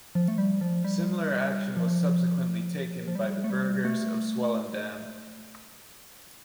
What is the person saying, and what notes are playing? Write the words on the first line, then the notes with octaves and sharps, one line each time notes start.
Similar action was subsequently taken by the burghers of Swellendam.
F3
A3
G3
F3
G3
F3
F3
G3
A3
G3
A3